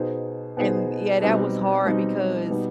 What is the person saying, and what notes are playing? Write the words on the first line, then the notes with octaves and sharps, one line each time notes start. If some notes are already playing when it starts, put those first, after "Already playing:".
And yeah, that was hard because,
Already playing: B2 B3 D#4 G#4 C5
B2 B3 D#4 G#4 C5
B2 G3 C4 D#4
B2 G3 C4 D#4
B2 G3 B3 D#4